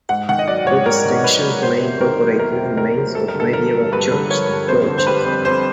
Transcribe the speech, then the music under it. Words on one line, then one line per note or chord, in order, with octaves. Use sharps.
Both extensions may incorporated remains of medieval church porches.
G#2 F#5
D#3 F#5
D#5
F#3 D5
G#2 C#5
G#2 A#4
D#3
F#3 B4
G#2
E2 C5
C3
D#3 A#4
F#3
E2 A#4
C3
D#3 A#4
F#3
G2 A4
A#4
D3
A4
F3 A#4
G2
G2 B4
D3
F3 C#5
G2
F2 C5
D3
C5
G3 B4
F2
F2 C5